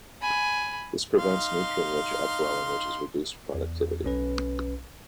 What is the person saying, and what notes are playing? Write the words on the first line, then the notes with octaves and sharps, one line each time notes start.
This prevents nutrient-rich upwelling which has reduced productivity.
G#5 B5
D#4 F5 C6
E2
B1 C#4 B4